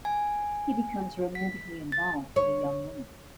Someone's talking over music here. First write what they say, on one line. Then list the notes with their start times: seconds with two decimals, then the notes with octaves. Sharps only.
He becomes romantically involved with a young woman.
0.05 G#5
1.35 B6
1.92 A6
2.36 C#5